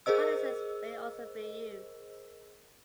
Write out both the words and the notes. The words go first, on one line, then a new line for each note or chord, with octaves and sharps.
Harnesses may also be used.
G#4 A#4 C5 D#5 E6